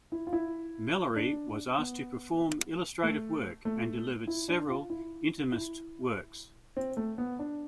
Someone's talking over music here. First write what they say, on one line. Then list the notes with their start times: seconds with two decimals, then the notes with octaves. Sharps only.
Mellery was asked to perform illustrative work and delivered several intimist works.
0.12 E4
0.27 F4
0.33 E4
1.16 D4
1.78 B3
3.03 A3
3.65 A3
4.27 E4
4.48 D4
4.69 F4
4.90 E4
5.52 E4
6.77 C4
6.97 A3
7.18 B3
7.39 D4